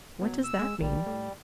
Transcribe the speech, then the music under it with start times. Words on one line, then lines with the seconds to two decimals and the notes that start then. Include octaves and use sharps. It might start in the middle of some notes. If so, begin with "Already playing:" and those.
"What does that mean?"
0.22 B2 F#3
0.44 E6
0.59 G#3
0.82 A#1 G3
1.07 A2